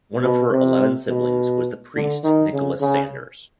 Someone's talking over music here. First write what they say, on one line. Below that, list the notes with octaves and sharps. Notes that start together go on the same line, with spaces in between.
One of her eleven siblings was the priest Nicholas Sanders.
B2
C3
B2
D3
D#3
C#3
C#3